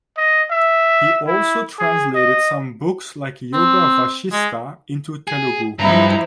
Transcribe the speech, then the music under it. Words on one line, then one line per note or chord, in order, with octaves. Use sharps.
He also translated some books like Yoga Vasistha into Telugu.
D#5
E5
E4
G#4
D#5
C4
G#3
G#4
G2 F3 D#4 E4 A#5